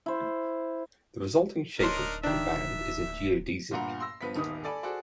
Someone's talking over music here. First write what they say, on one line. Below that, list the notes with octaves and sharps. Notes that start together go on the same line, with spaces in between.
The resulting shape of the band is a geodesic.
E4 C5
D1 D4 D#4 A#4 C#5 C6
D#3 D4 E5
G1 G2 A#2 F#5 A#5
C6 E6 A#6
G2 F3 B3 B4 B6
D#1 G#1 D#3 B3 D#6
A4 D5 G#5 B5
F#4 G#4 A4 C5 D5